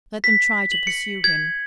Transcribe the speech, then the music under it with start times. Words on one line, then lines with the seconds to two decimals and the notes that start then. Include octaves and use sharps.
Let them try to pursue him!
0.24 B6
0.72 F#7
0.87 C#7
1.24 G#6